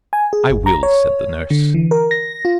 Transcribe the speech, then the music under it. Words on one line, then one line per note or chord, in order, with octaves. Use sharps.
"I will," said the nurse.
G#5
G#4
G1
A#5
C#5
D3
E3
A#4
A#6
F4